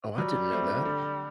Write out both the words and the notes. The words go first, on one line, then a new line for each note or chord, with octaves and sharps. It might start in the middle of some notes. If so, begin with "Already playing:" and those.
Oh, I didn't know that.
F#3 G3
A3 C4
D3